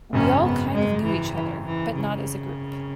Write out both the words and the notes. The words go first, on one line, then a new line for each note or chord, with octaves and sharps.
We all kind of knew each other, but not as a group.
G#1 F#2 C#3 C#4
B3
G#3
E3
E3
E3
C#3